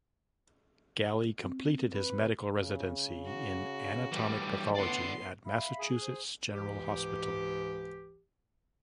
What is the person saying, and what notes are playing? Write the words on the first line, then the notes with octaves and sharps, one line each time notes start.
Galli completed his medical residency in anatomic pathology at Massachusetts General Hospital.
C4
B4
C#3
F#4
A2 E3 G3
B3 D5 F#5 C6
E5 F5 B5
G#4
C5
C#2 G#2 E3 G4